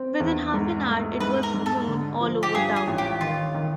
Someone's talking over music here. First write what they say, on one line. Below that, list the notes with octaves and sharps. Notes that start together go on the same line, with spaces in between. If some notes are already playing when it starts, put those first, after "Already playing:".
Within half an hour it was known all over town.
Already playing: C4
E2
G#2
A3
G#2 B4
A#4
G#2
A4
D3
F3
G4
G2 G#4
G#4
A1
G4
D#3 F4
D#3